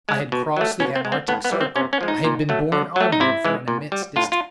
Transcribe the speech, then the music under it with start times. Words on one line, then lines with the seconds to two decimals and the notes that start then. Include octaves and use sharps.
I had crossed the antarctic circle; I had been borne onward for an immense distance.
0.09 G#3
0.32 B2
0.57 F#3 A3
0.80 B2 C#4
0.96 C4
1.05 G#3
1.12 C4
1.28 A2 B3
1.44 B3
1.52 E3 G3
1.61 C4
1.76 C3 C#4
1.93 C#4
2.01 F3 G#3
2.08 D#4
2.24 A#2
2.49 F#3 A3
2.72 D3
2.96 F#3 A3
3.12 D#4
3.20 C3 E4
3.45 E3 G#3
3.68 A#2
3.92 G3
4.16 A2 F4
4.32 F4